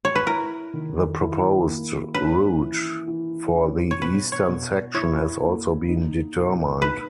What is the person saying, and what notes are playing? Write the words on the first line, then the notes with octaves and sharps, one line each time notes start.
The proposed route for the eastern section has also been determined.
C#5
B4
E4 A#4
D#3
E4
A#3
C#4 B4
E3
E3
C#4
C#5
B2 B4
C#5
B2
E4 C#5
A#3
D#4
B2
D#4 B4